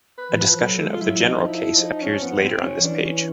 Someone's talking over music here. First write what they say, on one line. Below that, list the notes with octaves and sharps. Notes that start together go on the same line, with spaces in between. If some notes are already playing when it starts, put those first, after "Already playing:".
A discussion of the general case appears later on this page.
B4
E3
F3 B4
F#3 A4
G#3 A4
F4
F#3 E4
F#3
F3 D#4
E4
D#4
C#4
B3
C4
C#4
F3
E3 D4
C#4